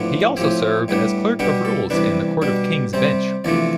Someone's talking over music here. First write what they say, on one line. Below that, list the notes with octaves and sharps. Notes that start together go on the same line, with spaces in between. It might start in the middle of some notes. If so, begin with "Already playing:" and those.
He also served as Clerk of Rules in the Court of King's Bench.
Already playing: A2 F3 B3 D4
A2 F3 C4 G4
A2 G3 B3 D4
B2 G3 B3 D4 G4
A4
E2 C3 G3 D4 B4
B2 G3 D4
C3 G3 C4 C5
E2 C3 F3 A3 D4 D5